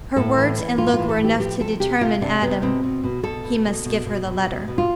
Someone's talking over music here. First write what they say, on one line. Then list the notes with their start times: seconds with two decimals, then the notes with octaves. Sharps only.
Her words and look were enough to determine Adam: he must give her the letter.
0.16 A2 A4
0.37 E3
0.58 E3
0.78 A2 F4
0.93 F4
0.98 E3
1.09 A4
1.19 A2
1.24 G4
1.39 F3 G4
1.60 C3 A4
1.80 C3 G4
2.01 C3 F4
2.21 C3 D4
2.42 C3 B3
2.62 B2 C4
2.83 B2
3.03 B2
3.23 B2 A4
3.44 B2
3.65 B2
3.85 B2
4.06 B2
4.26 B2
4.47 B2
4.68 B2
4.78 F4